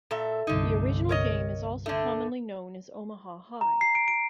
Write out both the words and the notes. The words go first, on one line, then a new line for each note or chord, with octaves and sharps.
The original game is also commonly known as "Omaha high".
A#2 A4 E5
G1 C2 D3 D#4
A#4 C#5 D#5
D3 A3
A#5
C7
D7
D7